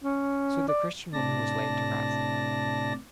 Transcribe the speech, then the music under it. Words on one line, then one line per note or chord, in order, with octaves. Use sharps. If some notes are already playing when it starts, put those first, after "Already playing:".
So the Christian woman was laid to rest.
C#4
D5
A2 C3 D4 D5 A5 A#6